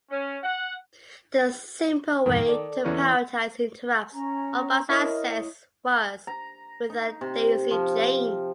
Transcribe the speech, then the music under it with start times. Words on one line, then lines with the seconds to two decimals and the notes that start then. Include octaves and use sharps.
The simple way to prioritize interrupts or bus access was with a daisy chain.
0.11 C#4
0.44 F#5
2.26 E2 G2 A#2 D#3
2.48 A4 D5
2.85 E2 E3 C#4
4.13 C#4 A#5
4.90 E4 A#4 C#5 D#5
6.27 A#5
6.90 D#4
7.21 C3
7.71 F3